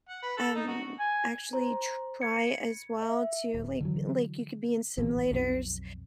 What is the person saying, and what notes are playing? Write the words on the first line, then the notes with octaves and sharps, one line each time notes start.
um, actually try as well to like like, you could be in simulators
F#5
B4
A4
D#4
F#4
G#5
C5 A#5
B5 G#6 C#7
E5
D1
D3 E3 F#3
D1 A#1 E2
B1 F2 C4